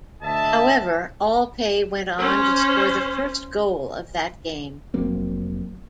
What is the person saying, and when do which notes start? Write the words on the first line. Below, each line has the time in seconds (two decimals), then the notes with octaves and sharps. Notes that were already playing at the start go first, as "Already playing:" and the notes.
However Alpay went on to score the first goal of that game.
0.22 D2 D#5 E5 A5
2.19 C#4 C5
4.94 F1 F#3 A#3 C4